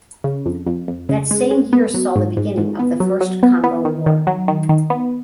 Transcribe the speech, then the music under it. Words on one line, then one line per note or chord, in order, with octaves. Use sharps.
That same year saw the beginning of the First Congo War.
C#3
F2
F2
F2
C#3
G#3
G#3
B3
F#3
G#2
G#2
G#2
B3
F#3
F#3
B3
B3
D#3
D#3
F#3
D#3
D#3
B3